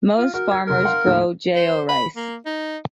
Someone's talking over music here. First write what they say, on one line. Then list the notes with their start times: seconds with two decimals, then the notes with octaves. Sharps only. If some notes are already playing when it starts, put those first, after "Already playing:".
Most farmers grow Jao rice.
0.18 F4
0.34 F#4 A#4
0.51 G#6
0.67 F1 G#4 A#4
0.83 F5 F#5 C6
1.06 D#2 A2
1.56 C5
1.89 B5
2.16 A#3
2.46 D#4